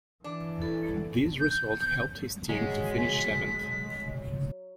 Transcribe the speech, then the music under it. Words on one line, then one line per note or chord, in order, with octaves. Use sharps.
This result helped his team to finish seventh.
E3 D4
E4 A4
G6
F#3 G#3 B6